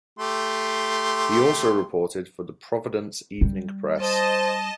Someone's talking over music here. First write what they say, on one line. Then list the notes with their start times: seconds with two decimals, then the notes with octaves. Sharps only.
He also reported for the "Providence Evening Press".
0.19 A3 G4 C6
3.41 G3
4.01 C5 D#5 A5